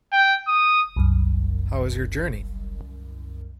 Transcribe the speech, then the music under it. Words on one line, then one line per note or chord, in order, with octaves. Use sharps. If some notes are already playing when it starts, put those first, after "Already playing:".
How was your journey?
G5
D#6
C2 F#2